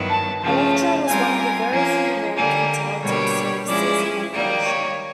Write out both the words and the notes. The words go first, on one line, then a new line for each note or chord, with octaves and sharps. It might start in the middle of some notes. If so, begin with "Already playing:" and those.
Electra was one of the very few American teletext services in operation.
Already playing: G2 D#3 F#3 B3 E4
A5
C#3 F3 A3 C#4 A5
G3 C4 F4 A#4 G#5
G#5
F3 A#3 C#4
D3 G3 A#3 G#5
B2 G3 A#3 D4 G4 C#5
F3 G#3 C#4 E4 G#4 D5
D#3 G3 A#3
C#5